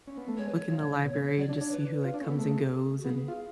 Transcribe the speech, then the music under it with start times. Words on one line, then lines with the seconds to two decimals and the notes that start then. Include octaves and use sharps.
look in the library and just see who," like, "comes and goes and
0.07 C#4
0.17 B3
0.28 A3
0.38 G#3 C#5
0.49 B4
0.54 C#5
0.71 F3
0.83 D3
0.93 D3
1.05 B2
1.16 C#3
1.38 F#3 D5
1.49 D4
1.55 C#5
1.61 D4
1.71 B4
2.05 F4
2.14 D4
2.21 C#4 A4
2.30 B3
2.38 A3 G#4
2.99 F#4
3.05 B3 G#4
3.28 F4